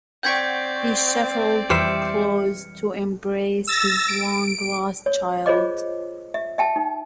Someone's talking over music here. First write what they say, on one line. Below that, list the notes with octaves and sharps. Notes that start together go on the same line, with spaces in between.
He shuffled close to embrace his long lost child.
C4 D5 F#5 G5 C#6 G6 G#6 B6
F2 E3 G3 G4 C5 E5 F6 C#7
E6 A6 A#6
D7
C#5
F4 G#4 C5 C#5 D#5 D6
E5
E5 G5 A5
D#4